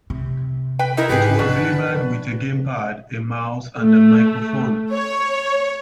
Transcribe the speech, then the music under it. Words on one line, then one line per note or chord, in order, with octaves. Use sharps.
It was delivered with a gamepad, a mouse and a microphone.
C3
B4 G5
D#4 E4 A#4
G#1 G4 G#4 B4
B2 F3 D4
A3
C#5